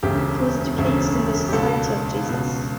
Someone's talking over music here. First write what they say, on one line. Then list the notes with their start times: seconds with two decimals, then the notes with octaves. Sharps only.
He was educated in the Society of Jesus.
0.03 E1 D2 C#3 G4
0.78 E1 D2 C#3
1.48 G4
1.53 C#2 B2 A4
2.29 C#2 B2